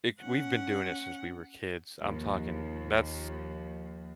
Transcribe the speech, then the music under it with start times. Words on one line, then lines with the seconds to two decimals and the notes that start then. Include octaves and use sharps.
like, we've been doing it since we were kids, I'm talking that's
0.21 C#4 F#5
2.01 D#2 F3